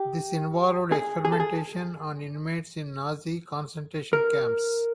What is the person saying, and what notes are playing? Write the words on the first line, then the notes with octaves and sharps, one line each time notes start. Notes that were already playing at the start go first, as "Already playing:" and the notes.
This involved experimentation on inmates in Nazi concentration camps.
Already playing: G4
G#4
G#4
A4
G#4
A#4